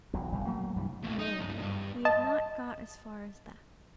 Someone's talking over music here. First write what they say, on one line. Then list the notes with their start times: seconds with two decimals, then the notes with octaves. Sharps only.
No; we have not got as far as that.
0.14 E1 B1 F#3
0.32 G1 C2 A2
0.47 F#3 A3 A#3
0.75 C2 G2 E3 G3
1.03 B1 A2
1.19 D#4
1.40 C#2 G2
1.61 G2
2.05 D#5 A5